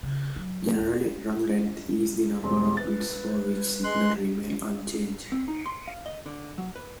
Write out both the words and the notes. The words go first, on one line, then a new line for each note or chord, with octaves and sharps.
Generally "run-length" is the number of bits for which signal remains unchanged.
C#3
F#3
D#2
E1 G3 C4 C6
B4 A6
G#3 C6 F#6
C4
D#4
C6
F5
D#5
D3
F#3
B4